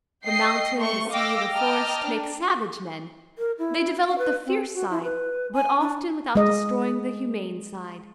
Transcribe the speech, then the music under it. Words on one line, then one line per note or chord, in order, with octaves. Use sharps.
The mountain, the sea, the forest, make savage men; they develop the fierce side, but often without destroying the humane side.
D#5 G5 C7
A3 C6 C#6
D#5 F5 G5 D6 E6 A#6
D#5 G5 A5 A#5 D6 F6
D4
A#4
E4
F5
B4
C4
F#4
E4
B4
G#5
D4
G#3 D#5